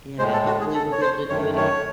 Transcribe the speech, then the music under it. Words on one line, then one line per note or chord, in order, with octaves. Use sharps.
Yeah, hopefully we'll be able to do it agai
A2 G#3 C5
A4
F#4
G#4
A4
C#5
C5
F#2 D#3 A3 C#5
C#5